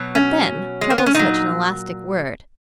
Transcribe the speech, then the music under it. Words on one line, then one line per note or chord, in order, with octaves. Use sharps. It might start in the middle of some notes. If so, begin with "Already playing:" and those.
But, then, trouble is such an elastic word.
Already playing: B2 F#3
C#4
G#3
A#3
B3
C#4
A#2 F#3 D#4